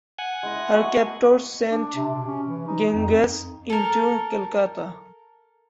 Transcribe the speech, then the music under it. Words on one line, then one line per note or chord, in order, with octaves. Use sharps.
Her captors sent "Ganges" into Calcutta.
F#5 G#5
G#3 E4 D#5
A3 B3 F#4
D4
C3
B2
C#4
E3
D#4
F2
A4 A#4